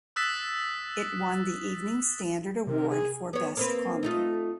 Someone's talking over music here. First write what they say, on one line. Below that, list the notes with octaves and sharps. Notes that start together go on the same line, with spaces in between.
It won the Evening Standard Award for Best Comedy.
D#6 E6 F#6 A6 B6 E7
C3 A#4
G#4
B3 C#5
A#3 C4 B4
A3 D#4 F4